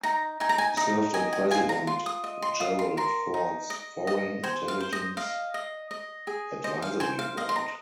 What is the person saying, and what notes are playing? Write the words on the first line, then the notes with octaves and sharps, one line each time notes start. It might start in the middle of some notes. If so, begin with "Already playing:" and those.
He served on President Gerald Ford's Foreign Intelligence Advisory Board.
D#4 A#5
D#4 G#5
A#5
G#5
D#4 D#5
D#5 G#5
G#5
F4 G#5
A#5
F4 C6
D#6
D#5
C6
F4 D#6
C6
A#4 C6
D#4
D#5
D#5
C5 G#5
F5
C5
D#5
D#5 F5
D#5
D#5
G#4
C5 D#5
F5
C5 G#5
F5
D#5 F5
C6
A#5